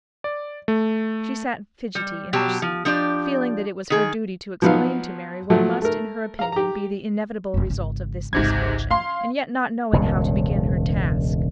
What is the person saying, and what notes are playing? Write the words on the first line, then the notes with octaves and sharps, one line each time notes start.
She sat fidgety in her seat, feeling that it was her duty to explain to Mary what must, in her opinion, be the inevitable result of this misfortune, and yet not knowing how to begin her task.
D5
A3
G3
B2 F#3 G4 A5
F3
F3 D4 G4 D5
D#3 G#4
F3 F#3 B3 D#4 F#4 F5
F3 F#3 A3
A3 A#4
F5 A#5
G4 A#5
F#1 C#3
G#1 C#3
G#1 C#2 G#2 C3 G#6
C#4 F5 C6
E1 C#2 G2 A#2